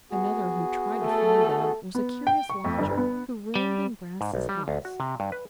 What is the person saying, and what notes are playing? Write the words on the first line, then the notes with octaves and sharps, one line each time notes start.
Another who tried to find them was a curious lodger who roomed in Brass's house.
B3 F#4 G#4
A3 A4
B3
G5
C#6
F2
G1
B3
G3
G#2
B1
G3
D2
F#4
C3
G2
B4